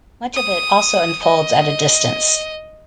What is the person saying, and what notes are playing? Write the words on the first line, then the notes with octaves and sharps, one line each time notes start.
Much of it also unfolds at a distance.
D#6
D#5